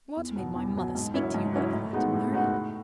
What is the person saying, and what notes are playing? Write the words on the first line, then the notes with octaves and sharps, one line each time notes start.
"What made my mother speak to you like that, Mary?"
E2
B2 F#3
E2
B2 F#3
G#2
F#3 C#4 E4
G#2
F#3 C#4 E4
A2
G#3 B3 D#4 F#4
A2
G#3 B3 D#4 F#4
A2